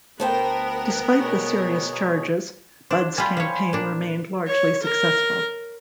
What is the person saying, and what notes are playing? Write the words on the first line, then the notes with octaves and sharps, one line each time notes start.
Despite the serious charges, Budd's campaign remained largely successful.
D2 A3 B3 A#4 C5 G5
B2 G#4 C#5
D4 C5
G3 F4 G#5 B5 C6
F3 G3 C#5
A#2 D4
C#5
A#4